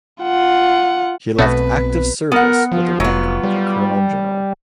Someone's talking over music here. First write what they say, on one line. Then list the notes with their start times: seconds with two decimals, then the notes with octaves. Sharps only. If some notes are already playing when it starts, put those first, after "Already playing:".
He left active service with the rank of a Colonel General.
0.23 F4 F#5
1.39 B1 B2 A3 B3 C4 F#4 B4
2.32 B3 A#4 F#5
2.72 F3 F4
3.00 F1 F#3 B3
3.43 G3